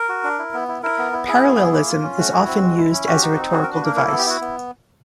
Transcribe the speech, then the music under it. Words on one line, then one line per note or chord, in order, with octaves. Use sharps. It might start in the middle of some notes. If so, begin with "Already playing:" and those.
Parallelism is often used as a rhetorical device.
Already playing: A#4
F#4
D4
E4
B3
E4
E4 A#4
B3
E4
E4 G#4
B3
E4
A#3
F4
C#4
A3 F#4
E4
C4
G#3
E4
C#4
F#4 G4
D#4
C4
F#4 G#4
A#4
D4
B4
A#3 A#4
E4 A#4
A4
B3
G4
E4 F#4
B3